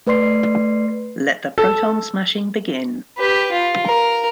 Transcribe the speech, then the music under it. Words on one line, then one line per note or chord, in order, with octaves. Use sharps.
Let the Proton Smashing Begin.
A3 B4 D5 C6 C7
A4
G4 B4
F4
A#4